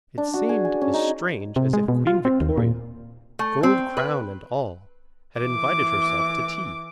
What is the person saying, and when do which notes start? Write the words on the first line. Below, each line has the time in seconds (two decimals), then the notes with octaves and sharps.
It seemed as strange as if Queen Victoria, gold crown and all, had invited herself to tea.
0.18 D4
0.34 F#4
0.49 G#4
0.65 G#5
0.81 C#4
0.94 D#4
1.56 C3
1.73 G#3
1.88 B2
2.07 F4
2.25 C4
2.41 D#2
2.58 A#2
3.39 A3
3.63 C4
3.97 B4
5.41 E3 D6